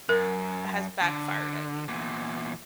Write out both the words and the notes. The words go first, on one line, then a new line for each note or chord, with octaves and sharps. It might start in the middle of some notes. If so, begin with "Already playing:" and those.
has backfired on you?
F#2 A#4
D3
E2 A#2